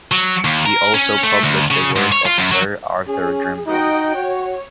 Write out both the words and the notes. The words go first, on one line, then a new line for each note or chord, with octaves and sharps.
He also published the work of Sir Arthur Grimble.
F#3
D#2
A#4
C#4
A3
D2
C#3
G#2
C#5
F4
F#2
F#3
C#4 G#4
D#4 F#4 D#5 G5
F#4 C#5